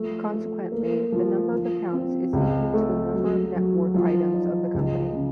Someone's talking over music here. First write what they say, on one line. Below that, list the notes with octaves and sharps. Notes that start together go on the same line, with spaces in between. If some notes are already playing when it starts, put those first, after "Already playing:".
Consequently, the number of accounts is equal to the number of net worth items of the company.
Already playing: F3 A3
A3
A#3
F3
F3
C4
C#2
A3
F#3
F#3
F3
D#4
C#2
C#3